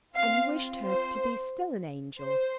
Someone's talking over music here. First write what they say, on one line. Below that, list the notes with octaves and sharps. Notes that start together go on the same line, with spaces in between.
And he wished her to be still an angel.
C4 F4 F5
C5
C5